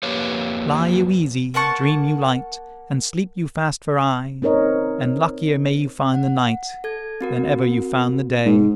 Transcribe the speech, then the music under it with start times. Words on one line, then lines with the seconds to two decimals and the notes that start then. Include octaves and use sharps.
Lie you easy, dream you light, And sleep you fast for aye; And luckier may you find the night Than ever you found the day.
0.03 F2 A#3 G4 B4 C#5 F5
1.54 A#3 F#5 A5 C#6
4.42 C4 D#4 A#4 C#5 D#5
6.14 F#5
6.84 A4 G#6
7.21 C4 F#4 A#4
8.45 G#2